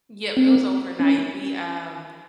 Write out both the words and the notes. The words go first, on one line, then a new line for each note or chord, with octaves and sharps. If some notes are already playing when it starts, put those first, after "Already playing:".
Yep, it was overnight. We, um
C4
C#4